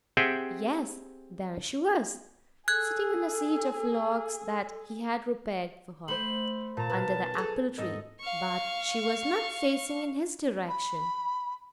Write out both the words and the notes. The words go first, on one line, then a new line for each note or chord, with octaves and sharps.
Yes, there she was, sitting on the seat of logs that he had repaired for her, under the apple-tree; but she was not facing in his direction.
C4 G4 G#4 E5 F#5 G5
G#4 A4 F#6 G#6
A3 C5 B5 C6 F#7
A#2 A5 A#5
B2 D#4 B4 F6
G#4 A4
G#2 D#4 A4 D#5
F5 C#6
B5